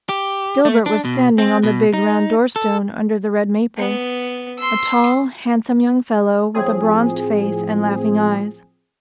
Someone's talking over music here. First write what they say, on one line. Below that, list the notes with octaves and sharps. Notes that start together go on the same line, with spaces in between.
Gilbert was standing on the big round door-stone under the red maple--a tall, handsome young fellow with a bronzed face and laughing eyes.
G4
A3
D4
B2
C4
B2
D#4
A4
B3
C6 E6
A2 F3 C4 G#4